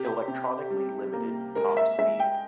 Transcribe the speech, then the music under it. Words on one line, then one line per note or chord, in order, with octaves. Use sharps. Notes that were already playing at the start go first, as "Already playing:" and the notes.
Electronically limited top speed.
Already playing: C3 G4
C3
G3
A#3
G#3 A#4
E5
G#3 E5
G5